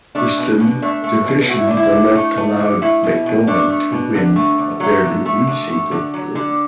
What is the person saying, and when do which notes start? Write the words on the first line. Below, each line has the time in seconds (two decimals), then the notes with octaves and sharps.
This division in the left allowed McDorman to win a fairly easy victory.
0.15 A3 D4
0.37 B2
0.60 B2
0.82 A3 D4
1.04 A3
1.26 B2
1.48 A3 F#4
1.58 E4
1.67 D3 D4
1.77 E4
1.92 D3
2.15 A3
2.37 A3
2.59 D3
2.82 A3 E4
3.03 B2
3.26 B2
3.47 A3 D4
3.70 A3
3.92 B2
4.14 D3
4.36 A3
4.58 D3
4.80 F#3 A3
5.03 D3
5.25 A3
5.47 D3
5.70 A3
5.91 D3
6.14 F#3
6.35 D3